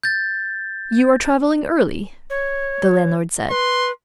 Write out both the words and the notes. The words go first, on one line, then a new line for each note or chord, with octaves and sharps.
"You are travelling early," the landlord said.
G6 A6
C#5
B4 C6